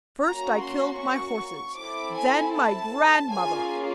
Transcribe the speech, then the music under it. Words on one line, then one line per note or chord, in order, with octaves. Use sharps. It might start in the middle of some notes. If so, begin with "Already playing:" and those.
First I killed my horses, then my grandmother!
A#3 C#4 F#4 A#5
C6
C#6
C4 E4 A4 D6
G#5
A5
A#3 C#4 F4 G#4 G#5